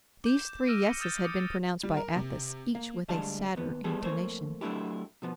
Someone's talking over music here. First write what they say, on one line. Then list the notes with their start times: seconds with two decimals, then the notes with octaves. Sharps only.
These three yeses had been pronounced by Athos, each with a sadder intonation.
0.24 D6 G6 E7
0.39 E7
0.66 E6 F6 A#6 D7 D#7
0.86 A#6 C#7 G7
1.00 D#6 E6 G6 A6 E7 G7
1.24 D6 D#6 C#7
1.83 G3
1.97 A#4
2.16 C3
2.75 A#3
3.08 D2 G3 G#3 D4 F5 A5
3.56 D#2 B3
3.84 G3 B3 G#4 A4
4.01 F2 A3 A#3 C5 C#5
4.61 F#3 A3 A#3 D4 E4 G4
5.22 B2 F3 B3